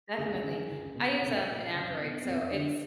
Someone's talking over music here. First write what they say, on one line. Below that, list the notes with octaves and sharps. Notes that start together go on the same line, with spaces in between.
definitely. I use, um, an Android, so it's
C#2 G#4
C#3 E3
C#2
B2
C2
A#2
C#2
B2
F2
D3